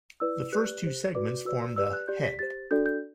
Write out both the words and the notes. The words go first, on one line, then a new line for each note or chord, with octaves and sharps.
The first two segments formed a "head".
E4 B4 D5 E6
G4 B4 D5 F#6
G4 C5
F#4 B4 D5 D6
F#4 B4 D5 E6
G4 B4 D5 E6
F#6
G4 D5 G6
B6
G4 C5 A6
D4 F#4 A4 D5 G6
G6